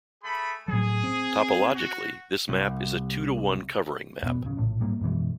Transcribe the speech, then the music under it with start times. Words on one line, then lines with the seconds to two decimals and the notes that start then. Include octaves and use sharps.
Topologically, this map is a two-to-one covering map.
0.23 A3 G#4 B5
0.68 A2 F#3 G#4
1.03 C4
1.75 F#4
2.49 C2
4.23 F2 B2 B3
4.43 D1 C#3
4.57 A#1 A2
4.80 G#2 G3 A#3
5.01 F#2 B2 E3 G#3